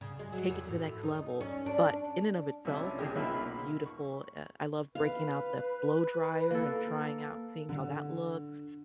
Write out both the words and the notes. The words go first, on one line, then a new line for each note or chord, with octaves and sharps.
take it to the next level, but in and of itself, I think it's beautiful. I I love breaking out the blow dryer and trying out seeing how that looks.
C#3
G#3
F#3
F2
A2
D#4
C#4
D4
B1 C3 F3 C#4 D4 E5
G#1 C#2 C#3 G#3 G4 G#4
B1 B2 A#3 F4 E5 B5
B5
C#6
B4 F5
A#3 A4
D3